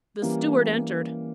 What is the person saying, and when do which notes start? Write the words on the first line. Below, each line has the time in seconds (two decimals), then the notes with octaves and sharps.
The steward entered.
0.22 E3 G3 A#3 C#4